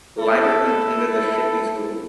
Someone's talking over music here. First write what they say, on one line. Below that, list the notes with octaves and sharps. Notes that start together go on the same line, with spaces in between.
Lieberman attended The Shipley School.
E4 A4